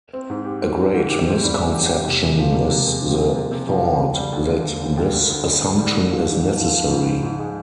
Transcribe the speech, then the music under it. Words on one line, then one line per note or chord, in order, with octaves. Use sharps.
A great misconception is the thought that this assumption is necessary.
C4
G#2
G4
C4
G#2
G#2
G4
C4
G3
G#2
G4
G4
C3
G#3
F3
C3
C3
G#3
F3
G#3
C3
C3
F3
F3
D2
G3
D2
D3
D2
D3
D2
D2
D3
D3
D2
G3
G#2
F3
G#2
G#2
F3
F3
G#2
G#2
G#2
G#3